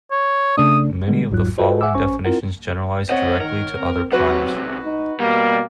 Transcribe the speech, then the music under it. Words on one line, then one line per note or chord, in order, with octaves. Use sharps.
Many of the following definitions generalize directly to other primes.
C#5
C#3 A3 D4 D#6
D3 G3 G#3 B3
G#1 E2 G#2 F#3 F4 F#6
F4 F#4 A4 B4 C5 D#5
E5 F#5 G#5 D6 E6
A1 C#4 C5 G#5 C#6
C4 E4 F4 A#4 F#5
C4 C5 C#5 D#5 F#5
D#3 A#4
C4
B1 C3 F#3 F#4 B4 F#5
D#4
B2 G3 A#3